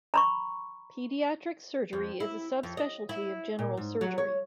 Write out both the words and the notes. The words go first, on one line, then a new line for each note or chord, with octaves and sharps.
Pediatric surgery is a subspecialty of general surgery.
A#5 B5 C#6
F2
E4
F2
D#5
E4
A#2
G#2
F#3
C#5